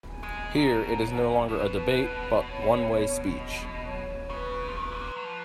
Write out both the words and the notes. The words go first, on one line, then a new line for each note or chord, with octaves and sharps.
Here it is no longer a debate but one way speech.
G#5
G#3
B2 A#5
C#5
B2 B4
C#5
D#5
C#5
C#3 B4
F3
D#3 B4
A#3
G#3
F#3
F3